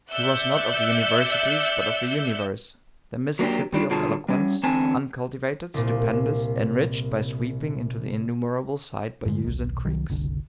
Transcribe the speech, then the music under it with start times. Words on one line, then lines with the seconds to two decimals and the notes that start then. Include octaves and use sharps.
He was not of the universities, but of the universe; the Mississippi of Eloquence, uncultivated, stupendous, enriched by sweeping into the innumerable side bayous and creeks.
0.12 D5 E5 E6 F#6 G6 C#7
3.39 F#3 A#3 D4 G4
3.73 G2 G3 D4 F4
3.90 G2 B2 D3 F4 G#4 A5
4.28 G3 C#4
4.63 E2 D3 C4 G#5 A5
5.74 C2 A#2
9.26 G2 D3 E3 G#3
9.44 D#1 B1
9.85 C2 D#3 F#3
10.09 F#1 C2 D3